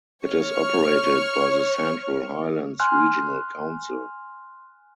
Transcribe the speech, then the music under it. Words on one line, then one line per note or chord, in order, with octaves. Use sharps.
It is operated by the Central Highlands Regional Council.
C#5 C#6 F6
G#5 C6 F6 F#6